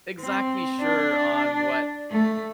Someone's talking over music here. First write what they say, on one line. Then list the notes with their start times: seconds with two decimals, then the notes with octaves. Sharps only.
exactly sure on what
0.20 C4
0.80 D4
2.11 A3